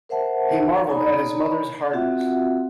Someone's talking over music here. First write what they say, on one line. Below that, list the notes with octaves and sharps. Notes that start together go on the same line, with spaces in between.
He marvelled at his mother’s hardness.
A#4 C5 E5 F#5 A5
D#4 C#5 D5 G#5 A#5 B5
C4 F4 F#4 E5 F#5